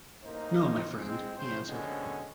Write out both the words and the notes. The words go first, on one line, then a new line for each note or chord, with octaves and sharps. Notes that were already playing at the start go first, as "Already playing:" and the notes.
"No, my friend," he answered.
A1 A#3 D#4 C5
G#3 C4
G#1 C#3 C5
B2 D3 G#3 C4 C#4